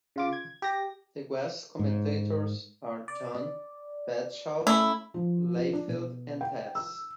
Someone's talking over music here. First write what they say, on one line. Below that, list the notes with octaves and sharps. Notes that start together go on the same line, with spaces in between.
The guest commentators are John "Bradshaw" Layfield and Tazz.
C#3 F4 D6
G#6
G4 A#6
G#2
D5
A3 C#4 E4
F3
F4
D4
B2
G5
E6